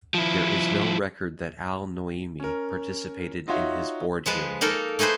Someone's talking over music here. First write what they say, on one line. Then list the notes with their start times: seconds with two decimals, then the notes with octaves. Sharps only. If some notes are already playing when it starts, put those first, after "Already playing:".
There is no record that Al Noaimi participated in his Board hearing.
0.14 F3 E4
2.40 C#4 A#4
3.48 D#4 F4 F#4 C#5 E5
4.26 F3 G#3 B4 A5
4.61 A#3 D#4 A4 A#4
4.99 A3 D#4 G#4 B4 C5